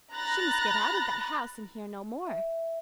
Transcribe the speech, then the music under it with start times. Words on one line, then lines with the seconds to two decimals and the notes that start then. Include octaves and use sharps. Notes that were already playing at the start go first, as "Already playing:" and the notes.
She must get out of that house and hear no more.
0.13 A#5 B5 F#6 A6 A#6
2.27 E5